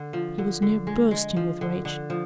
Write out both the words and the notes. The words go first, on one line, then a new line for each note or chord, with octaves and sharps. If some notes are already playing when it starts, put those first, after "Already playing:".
He was near bursting with rage.
Already playing: D3
F3
D3
D3
G#3
G#3
F3
D3
D3
F3